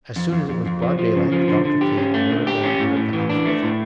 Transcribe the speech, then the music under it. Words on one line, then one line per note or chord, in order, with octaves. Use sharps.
As soon as it was broad daylight the doctor came, and Winterborne entered the house with him.
F2
F2
F2
F2
F3
F3
C#3
F3
D3
D3
G4
C#4
A3
D3
G4
C#4
A2
A2
E3
D4
A3
A2